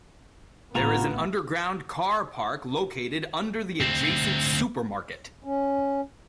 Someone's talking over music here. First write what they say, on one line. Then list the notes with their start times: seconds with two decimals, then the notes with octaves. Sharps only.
There is an underground car park located under the adjacent supermarket.
0.75 A1 B3 F4 F#4 A#5
3.81 D2 C4
5.44 C#4